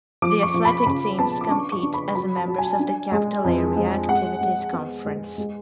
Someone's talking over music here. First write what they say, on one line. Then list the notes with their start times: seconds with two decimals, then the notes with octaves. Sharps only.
The athletic teams compete as members of the Capital Area Activities Conference.
0.22 F3 D6
0.43 C#6
0.54 F3
0.65 B5
0.86 C#3 B5
1.18 B3 A5
1.41 D6
1.51 D4 C#6
1.72 C#6
1.83 D4
1.94 B5
2.15 F#3 B5
2.36 A5
2.48 F#3
2.58 G#5
2.79 D4
3.12 G#3
3.44 F2
3.76 G#3
4.09 G#3 F#5
4.41 G#3
4.73 B3
5.05 G#3
5.38 G#3